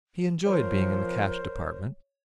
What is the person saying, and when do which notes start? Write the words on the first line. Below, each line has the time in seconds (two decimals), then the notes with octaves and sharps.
He enjoyed being in the Cash Department.
0.46 F3 A#4 C5 C#5